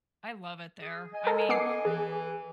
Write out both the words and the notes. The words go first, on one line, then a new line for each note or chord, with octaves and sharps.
I love it there, I mean
G#4
D#5 G#5
A4 A#4
B3 D6 C7
E3 G#4